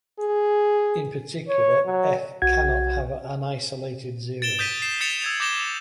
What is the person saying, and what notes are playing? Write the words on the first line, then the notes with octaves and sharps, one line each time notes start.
In particular "f" cannot have an isolated zero.
G#4
C#5
F#3
B1 F#4 F#5 G#6
A6 D7 E7 G7
D#6 G6 A6 B6 D#7
C7 E7
D#6 A6 C#7 E7 F7 G7
E6 G#6 F7
D6 G6 A#6 E7 G7